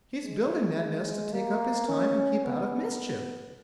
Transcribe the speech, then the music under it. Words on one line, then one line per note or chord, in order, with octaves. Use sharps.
He's building that nest to take up his time and keep out of mischief.
G#3
A#3
C#4
B3